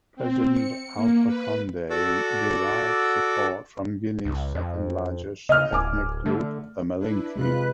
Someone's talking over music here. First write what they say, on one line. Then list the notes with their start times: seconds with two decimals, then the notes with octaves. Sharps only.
President Alpha Conde derives support from Guinea's second-largest ethnic group, the Malinke.
0.16 C4
0.52 C#7
0.94 A#3
1.26 B4
1.90 F#4 A4 D5 F#5 D6 E6
4.25 C#2
4.55 F2
5.49 C#3 D#5 F6
5.73 D1 G#5 D6
6.26 D3 A3
6.99 D4 E4 B4
7.36 F2 C3 G#3 F4 B4 F#6